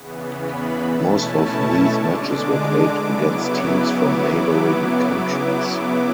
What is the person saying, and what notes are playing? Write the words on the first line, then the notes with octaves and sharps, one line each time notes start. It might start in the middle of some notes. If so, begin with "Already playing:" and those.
Most of these matches were played against teams from neighbouring countries.
Already playing: E2 C#3 E3 B3
B5
B2 A3 C#4 E4 A5
C#6
D3 G#3 D4 D6
C#3 F#3 B3 E4